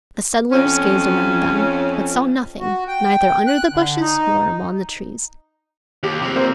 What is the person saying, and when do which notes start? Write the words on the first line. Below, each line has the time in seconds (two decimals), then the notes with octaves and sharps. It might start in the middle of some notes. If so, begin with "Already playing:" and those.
The settlers gazed around them, but saw nothing, neither under the bushes nor among the trees.
0.52 F2 C#4
2.60 F#4
2.88 G5
3.47 F#6
3.72 D3
4.01 D#4
6.03 D#2 G4
6.22 C3 F3
6.36 A#3 C4